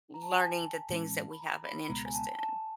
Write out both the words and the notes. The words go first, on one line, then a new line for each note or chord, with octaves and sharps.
learning the things that we have an interest in.
A#5
A5
G#5
A5
A2 E3 G#3 C#4
B5
A#5
B5
B5
C#2 B2 G#3 B3 A#5
G#5
A5
A5